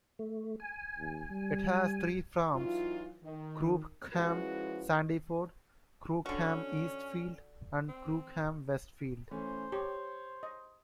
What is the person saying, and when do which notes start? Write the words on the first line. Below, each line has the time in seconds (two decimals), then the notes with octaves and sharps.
It has three farms, Crookham Sandyford, Crookham Eastfield, and Crookham Westfield.
0.19 A3
0.60 G#5
0.99 D#2
1.30 G3
2.54 E3 F#3 D#4 F4
3.23 D#3
4.13 F3 G#3 C#4 E4 F#4 B4
6.26 D3 C#4 F#4
7.89 C4
9.31 E3 A3 C#4 C5
9.72 G4 C#5
10.43 D#5